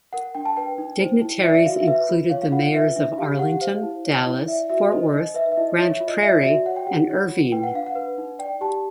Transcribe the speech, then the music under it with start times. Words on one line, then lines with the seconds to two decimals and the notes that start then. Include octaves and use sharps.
Dignitaries included the mayors of Arlington, Dallas, Fort Worth, Grand Prairie, and Irving.
0.13 A#4 F#5
0.35 D4 G5
0.46 A5
0.57 B4 G5
0.78 D#4
1.00 C5
1.22 E4
1.43 D5 E5
1.54 E5
1.65 F#4 F5
1.76 E5
1.88 B4 E5
2.09 F4
2.30 C#5 F5
2.42 F5
2.52 F4 F#5
2.63 F#5
2.75 B4 E5
2.96 D4 E5
3.18 G4 F5
3.39 G4 F#5
3.53 F#5
3.61 C5 F5
3.83 E4
4.05 C#5
4.26 E4
4.48 D5 E5
4.70 F#4 E5
4.91 C5 D#5
5.13 D#4 D#5
5.34 B4 E5
5.52 E5
5.57 E4 D#5
5.78 C#5 E5
5.92 E5
6.00 F4
6.08 D#5
6.22 D5 E5
6.43 F#4 E5
6.66 C#5 F#5
6.76 G5
6.87 G4 F#5
7.10 C#5
7.31 F4
7.52 B4 G5
7.64 F#5
7.74 D4 F5
7.86 F#5
7.96 B4
8.18 D#4
8.39 D5 G5
8.61 G4 A5